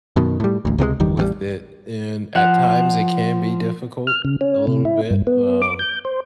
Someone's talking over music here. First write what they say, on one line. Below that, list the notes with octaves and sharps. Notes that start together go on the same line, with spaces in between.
with it. And at times, it can be difficult a little bit, um,
F#2 B2 D#3
A2 G3
A1 D2
C#2 C3 E3 G#3
G1 E2 D#3 G3
A1 D#3 G3
F3 F#5
F6
C#3
C#4
C3
E4
G2
B3
D6
G6
C5